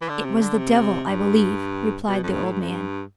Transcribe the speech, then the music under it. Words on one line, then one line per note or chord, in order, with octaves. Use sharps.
"It was the devil, I believe!" replied the old man.
E3
D3
C3
D3
C3
G2
B2
F2
G2
A2
G2
F2
G2